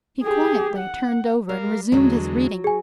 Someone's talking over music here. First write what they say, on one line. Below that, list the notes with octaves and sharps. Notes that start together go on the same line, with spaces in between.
He quietly turned over, and resumed his reading.
G4 G#4
F#5
G3 A#4 F5
E2 D3 F#3 G#3 C#4
G#4 G#5